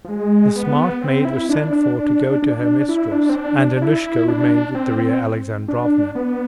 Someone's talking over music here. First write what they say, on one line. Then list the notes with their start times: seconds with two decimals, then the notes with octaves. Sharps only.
The smart maid was sent for to go to her mistress, and Annushka remained with Darya Alexandrovna.
0.05 F3
0.09 G#3
0.55 B3
1.01 C4
1.25 E4
1.49 D4
1.71 D4
1.96 D4
2.42 D4
2.89 E4
3.12 D4
3.29 C4
3.35 D4
3.59 D4
3.82 E4
4.28 D4
4.75 C4
4.98 C4
5.68 D4
6.15 B3